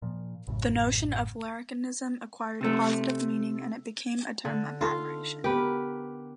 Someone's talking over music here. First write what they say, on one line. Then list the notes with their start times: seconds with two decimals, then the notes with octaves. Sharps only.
The notion of larrikinism acquired positive meaning and it became a term of admiration.
0.02 A#2 F3
0.47 A1 F#2 A2 C#3
2.61 C3 A3
4.45 D3
4.81 D#4 F4 A4
5.44 B3 G4 A#4 B4